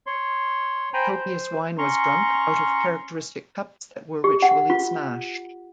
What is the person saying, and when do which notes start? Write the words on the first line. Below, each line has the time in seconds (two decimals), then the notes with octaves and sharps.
Copious wine was drunk, out of characteristic cups that were ritually smashed.
0.07 C#5 C6
0.94 C5 G5 G#5 A#5 B5
1.12 C5
1.78 C#4 A#5 C6 C#6
4.24 G4
4.42 F#5
4.70 F4